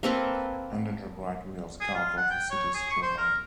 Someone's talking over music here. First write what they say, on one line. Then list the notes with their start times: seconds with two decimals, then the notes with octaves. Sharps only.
Endangered right whales calve off the city's shoreline.
0.03 A#3 C4 A4 B4
1.81 G#4
1.95 F4
2.17 F#5
2.30 G5
2.50 C#5
2.74 G#4
2.90 C#6
3.02 C5
3.18 A#4